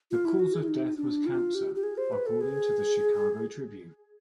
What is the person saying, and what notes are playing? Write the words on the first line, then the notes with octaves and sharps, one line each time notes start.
The cause of death was cancer, according to the "Chicago Tribune".
F4
E4
F#4
G#4
E4
D#4
D4
F4
G4
G4
G#4
C5
B4
A4
G#4